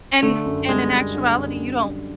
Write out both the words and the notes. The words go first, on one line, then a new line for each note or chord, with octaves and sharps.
and and in actuality, you don't
D3 A3
F#2
G3 G#3
F#2
D3
F#2
G3
F#2